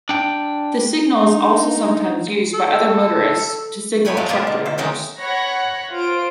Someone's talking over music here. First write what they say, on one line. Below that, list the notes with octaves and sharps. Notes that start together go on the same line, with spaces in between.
This signal is also sometimes used by other motorists to signal truck drivers.
D4 G5
D4 D#4
A4
A4 B4 C#5 G5 G#5 B5
F3 F#3 G#3 A3
B2 G#3 A#3 F4 D5 E5
D3
A4
D#3 E3 F#3 G#3 C#4 D#4
C#5 F#5 B5 F#6 A#6
F4 C5 D7